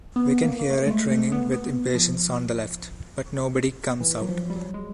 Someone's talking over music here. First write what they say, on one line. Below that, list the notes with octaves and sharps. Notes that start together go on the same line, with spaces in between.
We can hear it ringing with impatience on the left, but nobody comes out.
B3
A#3
A#3
A3
G#3
A3
G#3
A3
B3
B3
F3
E3
F#3
F3
G3
F#3
G#3